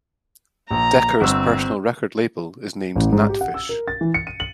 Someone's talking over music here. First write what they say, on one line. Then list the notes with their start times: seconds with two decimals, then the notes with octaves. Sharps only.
Decker's personal record label is named GnatFish.
0.71 A#1 A#5
1.21 G1 C4 E6
2.96 A1
3.12 G#2
3.29 G4
3.41 F#5
3.54 E6
3.69 A#4
3.88 A6
4.01 E3
4.14 C#7
4.27 D#7
4.40 F#7